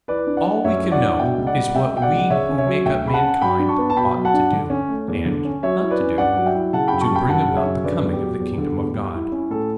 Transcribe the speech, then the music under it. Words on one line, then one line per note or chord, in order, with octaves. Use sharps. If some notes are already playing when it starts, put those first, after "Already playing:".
All we can know is what we who make up mankind ought to do, and not to do, to bring about the coming of the kingdom of God.
E3 B4 D5
D4
D5 F#5
G3
F#2 C#5 E5
E3
D5 F#5
D4
B2 E5 G5
C#2
D5 F#5
G3
C#2 E5 G5
B2 G5
D5 F#5
C#2
C#3 C#5 E5
C#4
C#5 E5
F#3
D2 E5 G5
C#3 B5
F#5 A5
C#4
F#3 G5 B5
D4
A5 C#6
B3
A5
B2 G5 B5
F#3
F#5 A5
D4
D3
C#4
A3
E2
D3
C#4
F#3 C#5 E5
E4
B4 D5
C#4
G2 D5 F#5
F#3
E5 G5
E4
C#3 F#5 A5
F#2 G5 B5
A5 C#6
G3 G5 B5
F#2 F#5 A5
C#3
C#5 E5
F#2
D3 B4 D5
E2
G4
F#3
E2
D3
E2
G3
E4
C#4
A2 A4